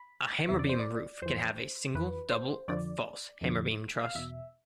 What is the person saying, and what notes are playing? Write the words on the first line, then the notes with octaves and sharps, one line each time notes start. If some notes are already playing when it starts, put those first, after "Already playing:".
A hammerbeam roof can have a single, double or false hammerbeam truss.
Already playing: B5
E2 C3 E3 E5
D5
C5
D5
F2 E3 C5
F2 E3 B4
C5
F2 D3 F3 D5
F2 D3 F3
F5
E2 B2 E5